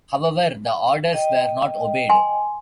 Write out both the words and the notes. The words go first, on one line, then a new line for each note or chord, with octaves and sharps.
However, the orders were not obeyed.
D#5 G5
G#5 C6